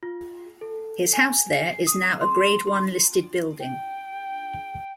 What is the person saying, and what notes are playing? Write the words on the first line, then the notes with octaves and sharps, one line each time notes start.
His house there is now a Grade One listed building.
F4
A4
G#5
C7
D#6
C6
C6
G5